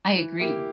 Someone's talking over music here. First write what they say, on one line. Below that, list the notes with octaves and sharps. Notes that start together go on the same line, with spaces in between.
I agree,
E3
A#3 E4 G4